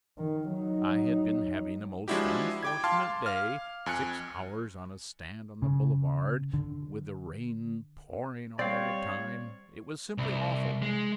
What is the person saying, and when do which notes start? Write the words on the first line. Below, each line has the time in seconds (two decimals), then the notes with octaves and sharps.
I had been having a most unfortunate day--six hours on a stand on the Boulevards, with the rain pouring all the time. It was simply awful.
0.18 D#3
0.50 F#3 D#4
2.08 F3 G#3 D4 E4 F#4 G4
2.63 G5 D6 G#6
2.84 F5 A5 C6 F6
3.26 F5 F6
3.86 F2 G#5 F#6 C#7
5.62 C#3
6.54 D3
8.59 G3 C4 C#5 D5 F5
10.18 C2
10.82 G#3